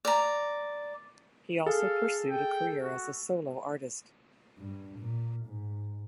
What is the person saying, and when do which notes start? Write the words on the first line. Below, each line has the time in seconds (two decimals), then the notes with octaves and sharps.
He also pursued a career as a solo artist.
0.05 D5 A#5
1.66 G#4 A4 F5
2.30 G5
2.82 F#4
4.59 G2
4.99 A#2
5.46 G#2